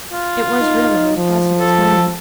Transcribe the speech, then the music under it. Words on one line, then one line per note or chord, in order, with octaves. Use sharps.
It was really a hazardous moment.
F4
D#4
F3
A4